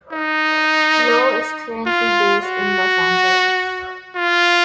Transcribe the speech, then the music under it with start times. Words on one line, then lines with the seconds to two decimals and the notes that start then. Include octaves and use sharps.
Low is currently based in Los Angeles.
0.12 D#4
1.86 F4
2.43 F#4
4.16 F4